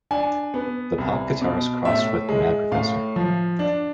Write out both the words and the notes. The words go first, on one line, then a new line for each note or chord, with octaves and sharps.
The pop guitarist crossed with the mad professor.
D4 G#5
B3
C2
B2
A2 E5
G#3
A2 F5
F3
D4